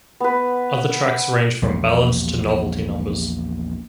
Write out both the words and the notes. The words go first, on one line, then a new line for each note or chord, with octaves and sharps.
Other tracks range from ballads to novelty numbers.
B3 B4
A#1 E2 G3